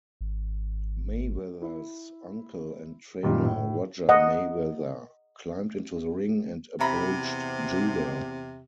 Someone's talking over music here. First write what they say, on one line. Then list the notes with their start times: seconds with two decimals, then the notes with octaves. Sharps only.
Mayweather's uncle and trainer, Roger Mayweather, climbed into the ring and approached Judah.
0.21 G#1
1.62 E4
3.23 F#2 A#2 D#3 G3
3.45 A2
4.09 D#5 F#5
6.80 E2 C3 E4 A#5 B5